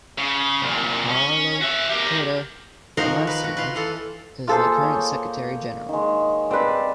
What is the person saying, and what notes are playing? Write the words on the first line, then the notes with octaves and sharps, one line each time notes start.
Paolo Cotta-Ramusino is the current Secretary General.
C#3
C2 A#2
C#4
F#4 E5
G4 A#4
D#3 F3 D#4 F#4 A#4 C5
B4
D#3 F#4
F4 B4
E3 F4 A4
A#3 F4 G#4 A4 C5
C#5 G5
D#3 G#3
G3 C4 A4 B4 D5